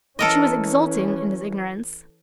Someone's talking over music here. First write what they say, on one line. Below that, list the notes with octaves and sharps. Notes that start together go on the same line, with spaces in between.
But she was exulting in his ignorance.
E3 C#4 A4 A#4 D#5